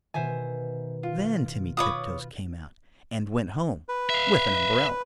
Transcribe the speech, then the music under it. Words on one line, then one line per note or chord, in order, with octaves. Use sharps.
Then Timmy Tiptoes came out, and went home with an umbrella.
B2 D#3 C5 E5 G#5
F4
F4 B4 C#5 B5 D6 D#6
B4
E5 F5